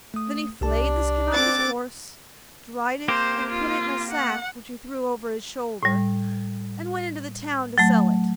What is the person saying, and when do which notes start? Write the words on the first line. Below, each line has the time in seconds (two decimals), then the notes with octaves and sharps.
Then he flayed the skin off his horse, dried it, and put it in a sack, which he threw over his shoulder, and went into the town to sell it.
0.14 A3 D#6
0.61 C2 D4 G4 A5
1.32 C4 D6 F#6 A6
3.08 A#3 C4 G4 C5
3.50 F4
4.11 F#5
5.83 A2 G3
7.78 F#3 A3